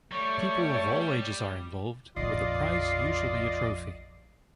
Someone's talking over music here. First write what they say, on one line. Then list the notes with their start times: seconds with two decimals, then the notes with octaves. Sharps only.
People of all ages are involved, with the prize usually a trophy.
0.12 G3 A3 C#5 C#6
2.16 A#1 F2 F4 D5 D#5 C7